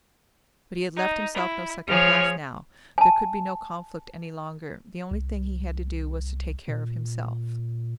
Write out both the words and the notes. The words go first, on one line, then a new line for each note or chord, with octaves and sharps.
But he had left himself no second path now: there could be no conflict any longer: the only thing he had to do was to take care of himself.
D#4
E4
F3 G#4 C#5 F6
G#5 A5
C2
A#2